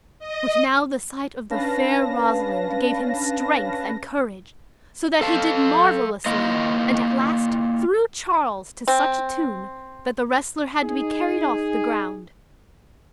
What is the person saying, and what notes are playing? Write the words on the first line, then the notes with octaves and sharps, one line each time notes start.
But now the sight of the fair Rosalind gave him strength and courage, so that he did marvelously, and at last, threw Charles to such a tune, that the wrestler had to be carried off the ground.
D#5
C#4 D4 B4 F5 A5 A#6
A4 F5 A5
A#3 E4 F4 D#5
C4
D#4 G#4